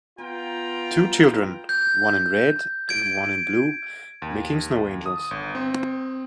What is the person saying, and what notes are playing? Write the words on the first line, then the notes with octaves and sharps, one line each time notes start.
Two children, one in red and one in blue, making snow angels.
B3 F4 G5 A#5
G6
G#6 D7
D#2
D#6
G1
C4